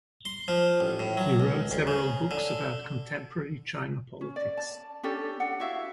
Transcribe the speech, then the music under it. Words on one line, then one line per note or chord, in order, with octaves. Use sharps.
He wrote several books about contemporary China politics.
C6
F3
A1
A2
F#3
C#2
D2
C#3
D3
C#4
D5
A5
C#4 D4 G4 A4
D4 F#5
E4 F#4 E5 F5